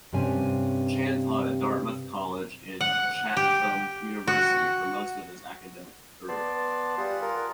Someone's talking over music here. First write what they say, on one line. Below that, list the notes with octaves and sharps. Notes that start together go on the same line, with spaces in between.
Chan taught at Dartmouth College and Chatham University for most of his academic career.
G2 C3 C#4 G#5
F#5
G4
F#4
B3 D5 A5 C6
G3 F4 G#4 F#5
A#4